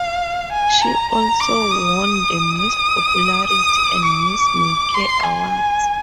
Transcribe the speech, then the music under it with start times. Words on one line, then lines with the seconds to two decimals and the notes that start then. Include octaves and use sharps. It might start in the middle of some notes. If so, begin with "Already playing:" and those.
She also won the "Miss Popularity" and "Miss May Care" awards.
Already playing: F5
0.52 G#5
0.81 A#5
1.12 A#5
1.40 D6
1.70 D#6
2.58 D#6
3.47 D#6
4.05 D6
4.94 C6
5.23 G#5